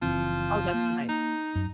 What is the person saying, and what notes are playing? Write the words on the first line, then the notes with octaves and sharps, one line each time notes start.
Oh, that's nice.
F#1 E3 F3 C4
A#3
D#4
F#2